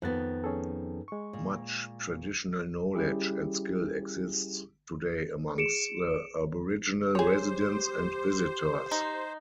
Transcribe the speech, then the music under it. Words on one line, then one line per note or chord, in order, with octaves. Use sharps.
Much traditional knowledge and skill exists today amongst the Aboriginal residents and visitors.
F2 D#3 F3 B3 F#6 A6
C#4 G#4 A4
G#3 C#6
A#2
G3 C#4 E4 G4 G#4
G#4 C#7 D7 E7
G4 G#4 C5 C#5
D#4